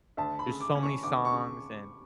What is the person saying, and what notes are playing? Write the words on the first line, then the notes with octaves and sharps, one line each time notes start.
there's so many songs, and
D2 A5
B5
C#3
D6
C#4
C#6
D2 D6
C#6
C#3